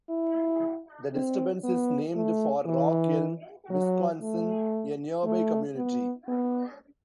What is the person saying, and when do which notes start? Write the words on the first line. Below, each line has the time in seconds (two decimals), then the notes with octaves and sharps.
The disturbance is named for Rock Elm, Wisconsin, a nearby community.
0.09 E4
1.13 C4
1.64 B3
2.16 A3
2.66 E3
3.70 F#3
4.21 A3
5.24 A3
5.76 B3
6.28 B3